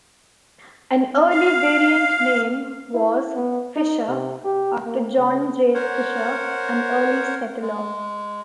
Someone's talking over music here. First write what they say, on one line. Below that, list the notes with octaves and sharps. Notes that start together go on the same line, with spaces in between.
An early variant name was "Fisher", after John J. Fisher, an early settler.
F5
E4
B3
D#4
C3
G4
A#3
C#3
A#4 C5 C#5 F#5
G#3